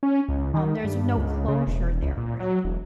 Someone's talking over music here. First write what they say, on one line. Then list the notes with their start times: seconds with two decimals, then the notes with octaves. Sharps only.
um, there's no closure there, really.
0.03 C#4
0.29 C#2
0.54 D#3
0.84 G2
1.17 C#2
1.48 C#3
1.67 E1
2.02 C#2
2.17 A#2
2.40 F#3
2.65 E1